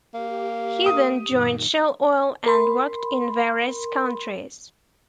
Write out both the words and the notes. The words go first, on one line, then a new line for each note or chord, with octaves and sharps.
He then joined Shell Oil and worked in various countries.
A#3 G4
D#6
F#2 A#2 D#3
A#4 B5 C6